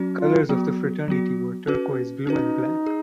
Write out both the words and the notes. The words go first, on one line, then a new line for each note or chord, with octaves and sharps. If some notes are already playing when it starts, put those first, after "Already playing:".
Colors of the Fraternity were Turquoise Blue and Black.
Already playing: F#3 C#4 F#4
F4
F#3 B3 F#4
F#3 B3 F#4
C#4 F#4 B4
C#4 D#4 F#4 B4
G#4